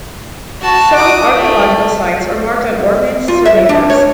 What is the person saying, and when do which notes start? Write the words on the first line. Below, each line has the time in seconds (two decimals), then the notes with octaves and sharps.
Some archaeological sites are marked on Ordnance Survey maps.
0.61 F#4 A5
0.96 D6 D#6
1.35 A3
3.28 F4
3.45 E5
3.69 D4
3.90 C#5